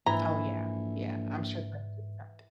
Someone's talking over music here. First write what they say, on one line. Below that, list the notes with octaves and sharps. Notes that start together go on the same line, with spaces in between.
Oh, yeah, yeah, I'm sure that's just something
A#1 G#2 E3 A#5